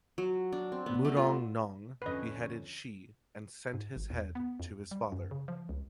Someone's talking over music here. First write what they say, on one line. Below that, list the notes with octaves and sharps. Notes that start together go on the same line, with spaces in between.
Murong Nong beheaded Shi and sent his head to his father.
F#3
D4
C4
B3
A3
F4
F2 D3 C#4 B4 D#5
G#2
G#1
E2
B3
F2
G3
F#2
C#3
F3
C#2